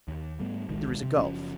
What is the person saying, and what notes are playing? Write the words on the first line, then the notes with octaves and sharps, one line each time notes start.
There is a gulf.
D#2
G#2 G3 A3 B3
D1 A#1 D#3 G#3
C3
F#1 F#2 F3 C#4